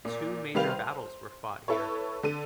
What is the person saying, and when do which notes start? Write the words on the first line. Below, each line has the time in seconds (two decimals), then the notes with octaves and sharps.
Two major battles were fought here.
0.05 A#2
0.54 C3 D#3 G3 B4 F5 F7
0.70 C5
1.68 E4 A4 B4 C#5
2.23 D3 A4 D#7